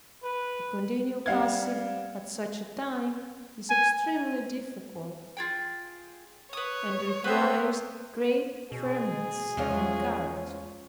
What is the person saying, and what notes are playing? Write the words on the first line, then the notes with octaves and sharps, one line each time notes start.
To continue passive at such a time is extremely difficult, and requires great firmness and courage.
B4
G3 C4 F5 F#5 G#6
G#5
F4 G#4 G5
B4 C#5 D#6
B3 C4 B4 C5
B2 G#4
E2 E3 F3 G#3 C#4 F4